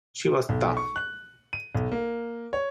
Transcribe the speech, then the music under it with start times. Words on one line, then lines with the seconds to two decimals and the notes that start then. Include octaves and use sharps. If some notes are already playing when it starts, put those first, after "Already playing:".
She was tough.
0.49 B1
0.77 C#6
0.96 F#6
1.53 D#7
1.75 B1
1.92 A#3
2.53 C#5